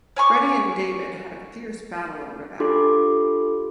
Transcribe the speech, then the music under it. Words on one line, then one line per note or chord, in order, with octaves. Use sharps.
Freddie and David had a fierce battle over that.
C#5 G#5 C#6 D6
D4 F4 G4 A4 C6 D6